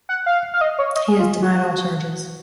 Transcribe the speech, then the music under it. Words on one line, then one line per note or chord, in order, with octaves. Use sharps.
He has denied all charges.
F#5
F5
F5
D#5
C#5
D#5
G#4
F4
F#4
F#4